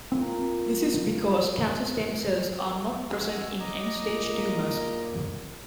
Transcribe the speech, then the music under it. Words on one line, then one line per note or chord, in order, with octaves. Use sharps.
This is because cancer stem cells are not present in end-stage tumors.
A#2 C4
F#4 G#5 E6
D#5 A#5 D6
A#2